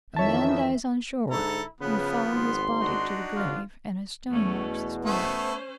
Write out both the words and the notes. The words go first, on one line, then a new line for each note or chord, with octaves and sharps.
A man dies on shore--you follow his body to the grave, and a stone marks the spot.
F2 D#3 E3 C#5 E5 A5
G#2 D3 E4 A4 A#5
C#3 F3 B3 B4
G#1 C6
D4 D#4 F#4
G#1 F4
E2 B2 A3 C#4
A3 B3 C#4 C5